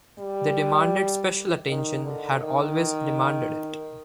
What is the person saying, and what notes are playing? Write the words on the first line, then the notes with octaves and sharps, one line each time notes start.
They demanded special attention, had always demanded it.
G3
D#3
D3
D#3